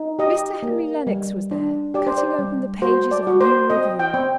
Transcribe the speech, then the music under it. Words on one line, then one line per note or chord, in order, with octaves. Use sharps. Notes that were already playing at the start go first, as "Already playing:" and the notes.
Mr. Henry Lennox was there, cutting open the pages of a new Review.
Already playing: D#4
G4 D#5
A#3
G3
D4
G4 D5
C5
D5
G3
F#4 C5
D5
F#4
C5
C4 D#5
G5
C4